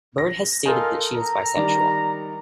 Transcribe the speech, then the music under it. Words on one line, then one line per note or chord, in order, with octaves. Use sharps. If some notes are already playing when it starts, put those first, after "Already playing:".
Byrd has stated that she is bisexual.
A#6
D#4 F4 A4 A#4 G#5
A#5
D#3 G3 D5